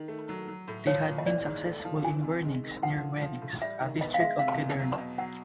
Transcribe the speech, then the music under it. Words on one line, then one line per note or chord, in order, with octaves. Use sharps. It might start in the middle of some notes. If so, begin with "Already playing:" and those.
They had been successful in Wernings near Wenings, a district of Gedern.
Already playing: D#3
A3
F#3
F#3
A2
F3 C#5
A#2
D#5
E3 D5
G#2
A3
F3
E3 G#5
C3
G#3
D#3
F3 F#5
D3
F3
A2
G3 E5
D#3
B3 D#5
F5
G#3 E5
C3 F5
E2
F#3
B2
F#3 F#5